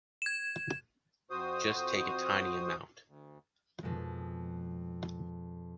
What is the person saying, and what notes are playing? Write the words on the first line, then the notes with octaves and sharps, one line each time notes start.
Just take a tiny amount.
G#6 E7
F2 F#4 C5 D#6
D2
F2 B2 G#3